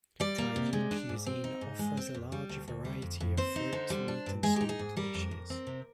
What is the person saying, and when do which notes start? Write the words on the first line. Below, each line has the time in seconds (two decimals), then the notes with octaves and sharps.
Tajik cuisine offers a large variety of fruit, meat, and soup dishes.
0.20 G3 D5
0.38 A#3
0.56 C3
0.73 G#3
0.91 D4
1.09 G#2
1.26 C4
1.44 D#4
1.61 G#2
1.79 G#3
1.97 C4
2.14 F2
2.32 G3
2.49 D2
2.68 D2
2.85 G3
3.02 F2
3.20 F2
3.37 C4 C5
3.56 D#4
3.73 D3
3.90 G3
4.08 D4
4.26 G2
4.43 G#3 G#4
4.56 D#4 G4
4.69 G#4
4.79 G#2
4.97 G3 A#4
5.14 F2
5.31 F2
5.50 C4
5.67 C3